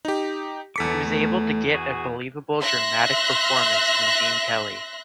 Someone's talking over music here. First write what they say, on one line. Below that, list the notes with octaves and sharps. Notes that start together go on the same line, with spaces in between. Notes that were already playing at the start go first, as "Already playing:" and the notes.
He was able to get a believable, dramatic performance from Gene Kelly.
D#4 G4
E2 A4 D6 B6 C#7
A3
F#4 G#4 G#5
E5 C6 F#6 A#6